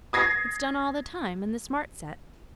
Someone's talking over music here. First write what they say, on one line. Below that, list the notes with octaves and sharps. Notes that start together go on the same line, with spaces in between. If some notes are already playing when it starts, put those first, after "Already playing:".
"It's done all the time in the smart set."
D#6 G#6 A#6 C7